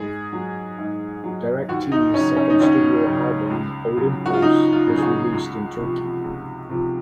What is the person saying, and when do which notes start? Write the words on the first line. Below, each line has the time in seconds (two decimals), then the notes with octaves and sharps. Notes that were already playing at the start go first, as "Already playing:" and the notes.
Direc-t's second studio album "Olympos" was released in Turkey.
Already playing: G#2 G#4
0.33 F#3
0.78 G#2
1.24 F#3
1.69 D#2 F#4
1.92 D#4
2.14 C#3 F#3 C#4
2.36 C#4
2.50 D#4
2.60 D#2 C#4
3.06 C#3 F#3
3.50 C#2
3.97 C#3 F#3
4.26 F#4
4.33 F4
4.42 C#2 D#4
4.72 F4
4.87 C#3 F#3
4.98 G#4
5.02 F#4
5.33 C#2
5.78 C3 F3
6.24 C#2
6.70 C3 F3